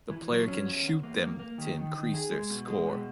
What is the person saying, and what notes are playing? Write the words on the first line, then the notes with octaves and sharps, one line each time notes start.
The player can shoot them to increase their score.
E3
F#3
C#4
E2
E2
A#3
A#3
A#3
D#3
D#3
D#3
G#4
G#3
B2
G#3
B2